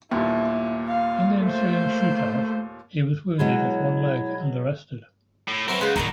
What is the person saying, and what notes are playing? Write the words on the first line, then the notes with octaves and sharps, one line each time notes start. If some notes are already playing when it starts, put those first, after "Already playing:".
In the ensuing shootout, he was wounded at one leg and arrested.
G1 D#2 A#2 E4
F5
A3 A#3 C5
B2 F#3 G#3 E4 C#5
A2
F#3 B3 C4 A#4 E5
C#3 G#3 C#5 F#5
D1 D#3 F#3 B3 D#4 A#4 D5 A#5